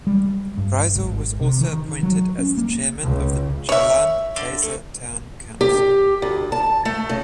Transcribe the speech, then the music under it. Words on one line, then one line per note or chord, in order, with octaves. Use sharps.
Rizal was also appointed as the chairman of the Jalan Besar Town Council.
G3
G2
G#1
C3
D#3
F#3
C#4
A#3
C#2
C#5 E5
G4
D2
A5
A3
C#3